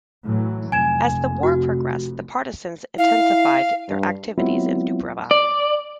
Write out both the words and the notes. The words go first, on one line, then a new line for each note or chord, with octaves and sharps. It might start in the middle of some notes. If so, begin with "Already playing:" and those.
As the war progressed, the partisans intensified their activities in Dubrava.
A2 E3 F#3
F1 G#5 G#6 E7
F#4
E4 F5
G2
F#3 G#3 B3 C4 E4 F4
D5